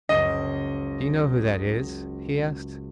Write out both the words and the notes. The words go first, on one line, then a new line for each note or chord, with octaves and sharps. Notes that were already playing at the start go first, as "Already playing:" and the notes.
"Do you know who that is?" he asked.
F#1 C#2 D#5